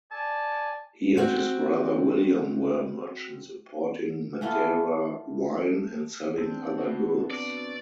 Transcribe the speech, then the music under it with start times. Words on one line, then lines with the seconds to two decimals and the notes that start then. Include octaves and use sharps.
He and his brother William were merchants importing Madeira wine and selling other goods.
0.12 D5 G#5 A5
1.17 C4 F#4
4.41 E3 A3 B3 F4
6.38 C4 D4
6.78 B2 F#4
7.31 D5